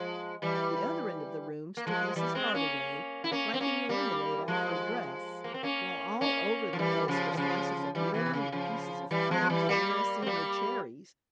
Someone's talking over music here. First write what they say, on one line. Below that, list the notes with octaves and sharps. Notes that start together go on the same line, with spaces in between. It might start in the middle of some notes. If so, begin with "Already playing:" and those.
At the other end of the room stood Mrs. Hardway, wiping the lemonade off her dress, while all over the place were slices of lemon and pieces of fruit and Maraschino cherries.
Already playing: F3 G#3
E3 G3
A#3
F3 G#3
E3 G3
G#3 C4
A#3 C#4
E4
A#3 C#4
C4
A#3 C#4
G3 A#3
F3 G#3
A#3
C4
A#3 C#4
A#3 C#4
F3
E3 G3
C#3 F3
E3
C#3 F3
E3 G3
C3 E3
C3
C#3
C#3 F3
E3 G3
F3 G#3
F3
E3 G3
G3 A#3
C4
G3 A#3